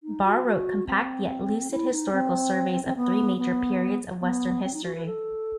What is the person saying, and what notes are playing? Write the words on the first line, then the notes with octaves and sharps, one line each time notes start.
Barr wrote compact yet lucid historical surveys of three major periods of western history.
D#4
F#4
F#4
C4
E4
D#4
C4
C4
B3
B3
B3
C4
D#4
F#4
B4
A4